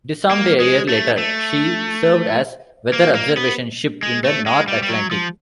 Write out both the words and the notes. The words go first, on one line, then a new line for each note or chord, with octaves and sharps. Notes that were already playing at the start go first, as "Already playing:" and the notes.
Disarmed a year later, she served as weather observation ship in the North Atlantic.
A#3
G#3
A3
A3
A#3
A#3
B3
G#3
A3
G#3
G3
G3
F#3
F3